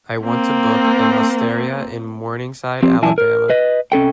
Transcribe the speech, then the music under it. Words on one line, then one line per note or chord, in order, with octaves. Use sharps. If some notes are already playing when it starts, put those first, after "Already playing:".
I want to book an osteria in Morningside Alabama.
A#3 C4
F3 C4 G4
F#2 E3 E4 G#5 A5
A#4
B4 D#5
C3 C#4 A4 G5